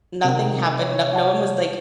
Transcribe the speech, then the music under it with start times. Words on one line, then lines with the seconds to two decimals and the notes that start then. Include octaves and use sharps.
nothing happened, no no one was like,
0.24 C3 D#3 C4
0.78 C#5
1.13 F#5 A5